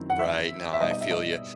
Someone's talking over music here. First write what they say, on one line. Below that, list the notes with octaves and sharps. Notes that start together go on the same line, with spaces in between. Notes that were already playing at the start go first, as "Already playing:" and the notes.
Right, no I feel you.
Already playing: F#2 D#3 F#3 C4 E4
F#5
E5
E5
B2 G3 D#4 D#5
D#5
E5
D#5